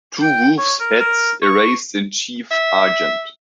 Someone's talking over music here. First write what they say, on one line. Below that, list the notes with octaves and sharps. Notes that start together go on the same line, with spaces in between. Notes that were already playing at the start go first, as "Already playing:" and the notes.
Two Wolves heads erased in Chief Argent.
G5
C#5
A#4
A#4
C#6
E5